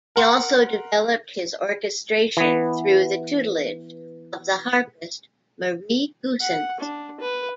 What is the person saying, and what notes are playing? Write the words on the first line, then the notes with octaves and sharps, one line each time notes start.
He also developed his orchestration through the tutelage of the harpist Marie Goossens.
A#4 F#5 C6
E3 B3
F#5
D4
B4